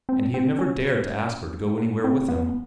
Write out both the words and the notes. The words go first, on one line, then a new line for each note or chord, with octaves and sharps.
And he had never dared to ask her to go anywhere with him.
C4
C4
C#4
C4
B3